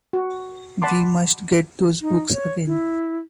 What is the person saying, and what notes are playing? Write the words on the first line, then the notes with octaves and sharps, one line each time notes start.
We must get those books again.
F#4
D5 F#5 A5 B5 C6 D6
D#4
C#5
E4